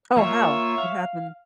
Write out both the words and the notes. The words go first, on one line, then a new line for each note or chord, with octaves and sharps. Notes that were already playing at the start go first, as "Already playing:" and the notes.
Oh, how? What happened?
A#3 F4 A#4 C#5 E5
F5